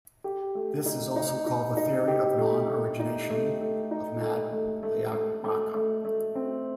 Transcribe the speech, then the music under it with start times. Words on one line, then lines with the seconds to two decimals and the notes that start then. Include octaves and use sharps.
This is also called the theory of non-origination of Madhyamaka.
0.24 G4
0.55 A3
0.85 D#4
1.16 D#4
1.46 D#4
1.77 D#4
2.08 G4
2.38 A3
2.68 A3
2.99 D#4
3.30 A3
3.61 A3
3.91 D#4
4.21 A3
4.52 A3
4.83 A3
5.13 A3
5.44 A3
5.74 A3
6.05 A3
6.35 C4